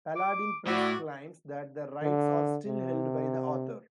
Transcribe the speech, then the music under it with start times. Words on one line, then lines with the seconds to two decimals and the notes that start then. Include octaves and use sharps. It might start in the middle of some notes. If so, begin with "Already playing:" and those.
Paladin Press claims that the rights are still held by the author.
0.16 D6
0.67 A2 E4 F#4 D5
2.02 D3
2.66 C3